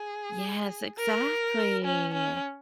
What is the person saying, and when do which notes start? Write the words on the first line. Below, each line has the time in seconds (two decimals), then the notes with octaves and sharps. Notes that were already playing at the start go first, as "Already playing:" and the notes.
Yes, exactly.
Already playing: G#4
0.99 A#4
1.85 C#4
2.14 C#4